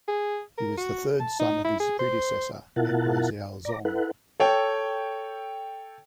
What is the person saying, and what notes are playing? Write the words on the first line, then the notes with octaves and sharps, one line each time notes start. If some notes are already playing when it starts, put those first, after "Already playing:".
He was the third son of his predecessor, Emperor Xiaozong.
G#4
A#4
F#4
A5
D#4
E4
G#4
C5
B2 E4 F4 A#4 F#5 A5
D5 A#5
E4 A4 B4 F#5
A4 C#5 G5